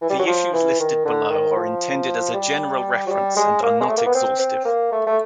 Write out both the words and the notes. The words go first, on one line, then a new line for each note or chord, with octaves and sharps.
The issues listed below are intended as a general reference and are not exhaustive.
E3
G3
F#3
F3
E3
D#3
D3
D#3
F3
G3
F#3
G3
G#3
A#3
G#3
A3
A#3
B3
C4
C4
A#3
A3
A3